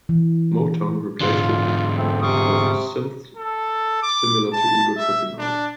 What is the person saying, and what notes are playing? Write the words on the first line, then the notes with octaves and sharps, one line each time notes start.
Motown replaced it with synths similar to Ego Tripping Out.
E3
G#2 D3 F4
A3 C4
C3 C#6 D#6
A4
D6
A5
E5
D4